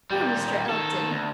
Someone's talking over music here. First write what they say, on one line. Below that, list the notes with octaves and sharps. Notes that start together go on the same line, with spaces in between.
Poor Mr. Elton!
A#2 G3
D#3 A4
D2